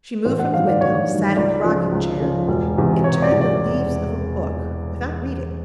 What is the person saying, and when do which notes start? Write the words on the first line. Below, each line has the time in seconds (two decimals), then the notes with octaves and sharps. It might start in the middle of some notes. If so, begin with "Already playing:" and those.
She moved from the window, sat in a rocking-chair, and turned the leaves of a book, without reading.
0.25 A1 C5
0.39 F#5
0.53 G2 D#3 F#3 F5
0.67 D5
0.81 A1 C#5
1.09 G2 D#3 F#3
1.37 C#2 D5
1.64 C#3 F3
1.92 C#2
2.20 C#3 F3
2.48 E1
2.76 E2 C3
3.04 E1 C#5
3.22 D5
3.32 E2 C3
3.41 D5